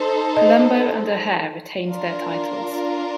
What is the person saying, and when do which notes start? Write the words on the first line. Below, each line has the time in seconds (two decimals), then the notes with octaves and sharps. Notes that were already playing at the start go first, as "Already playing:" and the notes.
Palumbo and O'Haire retained their titles.
Already playing: D#4 A4 C5
0.37 D#5
1.87 D4 F4 A#4